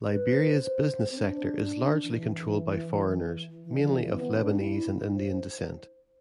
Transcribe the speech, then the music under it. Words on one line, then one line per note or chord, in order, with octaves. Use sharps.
Liberia's business sector is largely controlled by foreigners mainly of Lebanese and Indian descent.
B4
C5
C5
C4
D4
E3
E3
D3
F3
E3
C4
B3
E4
D4
E4
C5